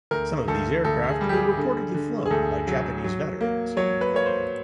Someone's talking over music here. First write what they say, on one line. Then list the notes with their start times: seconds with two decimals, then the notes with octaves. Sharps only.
Some of these aircraft were reportedly flown by Japanese veterans.
0.11 D2 A#4
0.48 D2 A4
0.85 D2 A4
1.09 G#4
1.21 G3
1.29 G4
1.33 G#4
1.58 D3
1.94 D3
2.26 G#4
2.31 D2 A4
2.67 F#3
3.04 F#3
3.41 A#3
3.77 F#3 C#5
4.01 B4
4.14 A#3 C#5
4.26 C5